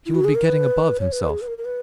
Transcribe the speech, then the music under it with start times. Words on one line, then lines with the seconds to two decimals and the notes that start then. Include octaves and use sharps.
He will be getting above himself.'
0.06 E4
0.15 F#4
0.25 G#4
0.35 A#4
0.44 B4
1.00 C#5
1.12 B4
1.29 G#4
1.41 B4
1.48 A#4
1.58 A#4
1.65 B4